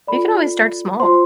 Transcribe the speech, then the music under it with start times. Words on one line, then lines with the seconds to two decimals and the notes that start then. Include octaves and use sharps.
you can always start small.
0.07 F4 A4 D5 B5
1.00 F4 C5 C6